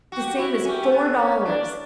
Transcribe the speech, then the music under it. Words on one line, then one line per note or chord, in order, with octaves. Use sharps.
The same as four dollars!
F#4 G4
E4 F#4
C#4 G4
A3
B3 A4
D5
C#4 C#5
D4 D5